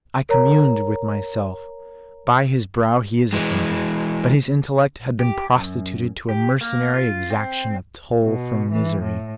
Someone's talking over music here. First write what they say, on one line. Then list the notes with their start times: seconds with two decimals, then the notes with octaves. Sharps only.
I communed with myself: By his brow he is a thinker, but his intellect has been prostituted to a mercenary exaction of toll from misery.
0.29 A#4 C#5 A#5
3.33 E3 G#3
5.19 G4
5.56 F#2
6.29 G4
6.61 A#3
6.94 F4
7.30 C4
8.25 B2
8.73 E3
9.02 A2